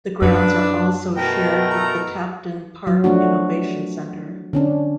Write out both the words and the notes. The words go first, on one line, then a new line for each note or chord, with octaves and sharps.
The grounds are also shared with the Tapton Park Innovation Centre.
F#2 D4 B4
B2 A3 A#4 G5
A#5
F#3
F3 A3 D4 F#4
D3 C#4 D4